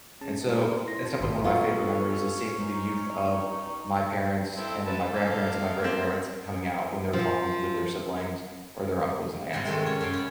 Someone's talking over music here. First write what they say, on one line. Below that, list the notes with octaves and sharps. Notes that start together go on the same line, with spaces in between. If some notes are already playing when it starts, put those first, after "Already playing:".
And so that's definitely one of my favorite memories is seeing the youth of my parents, and then my grandparents and my great-grandparents coming out when they were talking with their siblings or their uncles and aunts.
C#4 G#4 A5
G#3 A3 D#4 F4 G4
C5
E4 C6 A#6
C4 D#4 F#4 A4 C5 A5
A1 G#2 D#3 B5 C6
F#3 B3 C#4 F4 A4
D#4
C4 E4 A4
B4 A5
A4 F5 D6
A#3 C4
F3
G#2 C3 G3 G#3 C4
D#3 G#3 F#4 A4
C#4 G#5
F#2 F5 G5
C#4 B5